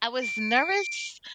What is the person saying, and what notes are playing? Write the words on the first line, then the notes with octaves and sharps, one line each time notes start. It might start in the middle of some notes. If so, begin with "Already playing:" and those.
I was nervous
D7